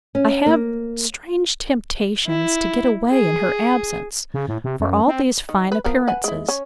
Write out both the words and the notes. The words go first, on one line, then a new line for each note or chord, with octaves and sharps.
I have strange temptations to get away in her absence, for all these fine appearances.
C#4
A#3
E4
G#4
C#3
A2
C3
F#2
C4
D#3
B4
F3 B3 A#4
B4 F#5 G#5
G#3 E4
C#4